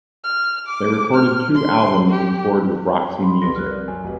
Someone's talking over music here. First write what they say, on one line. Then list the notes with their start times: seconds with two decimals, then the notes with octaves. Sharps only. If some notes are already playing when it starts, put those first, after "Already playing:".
They recorded two albums and toured with Roxy Music.
0.24 F6
0.67 D6
1.15 F6
1.55 C6
2.09 G4
3.24 F#5 B5 C6
3.41 C2 B4 C6 A#6
3.56 F6 F#6
3.69 A#4 D5
3.88 F#2 G#5
4.04 F1 B4